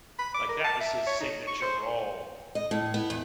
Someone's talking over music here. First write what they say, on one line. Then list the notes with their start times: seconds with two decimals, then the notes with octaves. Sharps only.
like, that was his signature role,
0.19 B5
0.34 D6
0.49 A#4
0.64 A5
0.80 E5
1.06 C#5
1.21 D#4
1.47 C#6
1.62 C5
2.55 D#5
2.71 A2
2.94 B3
3.10 E2